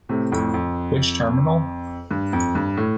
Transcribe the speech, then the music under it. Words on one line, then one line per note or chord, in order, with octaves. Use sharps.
Which terminal?
A2 C3
F2 A2
F2
G2
F2
G2
A2